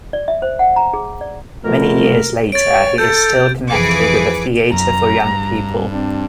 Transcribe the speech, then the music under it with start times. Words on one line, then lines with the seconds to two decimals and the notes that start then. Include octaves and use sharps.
Many years later, he is still connected with the Theatre for Young People.
0.13 D5
0.28 E5
0.42 C5
0.59 F#5
0.76 A#5
0.94 G#4
1.21 D5
1.65 B2 F3 A3 A#4
2.52 C#5 A6 D7
2.98 A4 G6
3.26 G6
3.70 F2 E3 G#4 B4 D6 C#7
4.73 F#2 A#5
5.25 G2
5.90 C4 D4